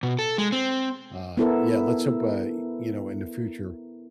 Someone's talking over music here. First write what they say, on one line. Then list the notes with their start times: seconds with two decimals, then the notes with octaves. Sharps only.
uh, yeah, let's hope, I you know, in the future
0.03 B2
0.19 A4
0.38 G#3
0.52 C4
1.37 B3 E4 A4 A#4